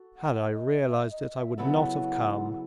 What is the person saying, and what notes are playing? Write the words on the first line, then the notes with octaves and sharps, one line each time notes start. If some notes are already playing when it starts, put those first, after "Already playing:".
"Had I realised it, I would not have come."
Already playing: F#4 A4
F#5
D#5
E5
D#5
E5
C#3 F#3 B3 E4 A4 F#5